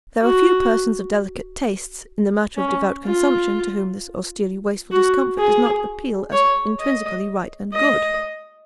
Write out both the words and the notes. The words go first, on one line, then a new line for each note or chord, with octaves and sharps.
There are few persons of delicate tastes, in the matter of devout consumption to whom this austerely wasteful discomfort does not appeal as intrinsically right and good.
F#4
C#4
F4
F#4
G#4
C#5
D#5
D#5